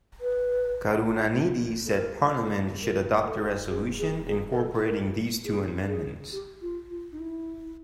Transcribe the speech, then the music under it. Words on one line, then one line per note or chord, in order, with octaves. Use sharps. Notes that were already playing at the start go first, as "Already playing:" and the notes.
Karunanidhi said Parliament should adopt the resolution incorporating these two amendments.
B4
A4
A#4
A4
A#4
A4
G#4
G#4
G#4
A#4
A4
A#4
G#4
G#4
G4
F4
F4
D#4
E4